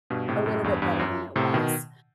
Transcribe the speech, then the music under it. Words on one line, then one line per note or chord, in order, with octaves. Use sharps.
a little bit better than it was.
G2 B2
A2 C3
F#2 A2
E2 G2
E2 G2
F#2
A2 C3
B2 D#3